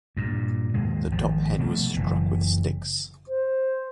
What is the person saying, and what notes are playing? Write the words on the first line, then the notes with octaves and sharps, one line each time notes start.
The top head was struck with sticks.
G2 A#2
D#2 G#2 B2 G#3
G#1 F3
B2 F3 A3
F#1 E3
C5